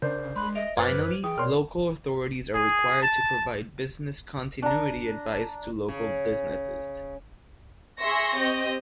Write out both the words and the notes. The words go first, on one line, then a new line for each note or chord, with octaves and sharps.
Finally, local authorities are required to provide business continuity advice to local businesses.
C#3 D4 A#4 C5 G6
G#3 B5 C6 F#6
D#5 E5 D7 F7
F#2 B4 C5 D6 F6 G#6 A6
E3 G#4 G5 D#6
B2 A#4 C#5 D5 C6 F6
G#4
A5
D4 A#5
C#3
G#4 E5 C6 C#6 A#6
C4 G4 D#5